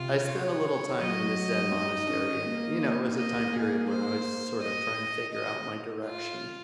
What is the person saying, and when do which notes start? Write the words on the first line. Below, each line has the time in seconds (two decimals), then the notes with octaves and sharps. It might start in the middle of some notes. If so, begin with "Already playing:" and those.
I spent a little time in this Zen monastery, and, you know, it was a time period when I was sort of trying to figure out my direction.
Already playing: C3 F4
0.28 C#5
1.01 F#3 D#5
1.73 D#4
2.08 C#4
2.44 A#3
3.17 D#5
3.53 G#4
3.89 C5
4.62 D#5
5.33 D#5
6.05 F4